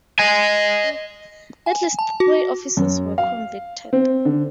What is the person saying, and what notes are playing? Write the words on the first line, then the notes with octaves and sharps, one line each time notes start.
At least three officers were convicted.
D#5 G#5
G#5
A5
F#4
F#2
F5
C4
D3